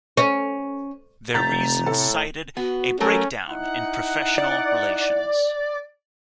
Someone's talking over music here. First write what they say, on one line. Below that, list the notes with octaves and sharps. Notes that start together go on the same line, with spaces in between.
Their reasons cited "a breakdown in professional relations".
C#4
F1 C3 A3 A#5 G6 A6 B6
A2 A4
B3 F#4
F#3 A3 C#4 A4 A#4
D#4 E4 F#5
D5